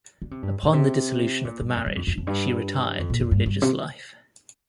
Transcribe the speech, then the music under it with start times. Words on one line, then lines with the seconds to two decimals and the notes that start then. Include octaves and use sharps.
Upon the dissolution of the marriage, she retired to religious life.
0.22 D3
0.31 C3
0.43 G2
0.63 A#2
0.73 C3
1.45 A#2
1.60 G2
1.76 F2
1.86 G2
1.96 F2
2.07 F2
2.18 F2
2.27 G2
2.99 F2
3.10 A#2
3.20 F2
3.31 G2
3.46 G2
3.62 C3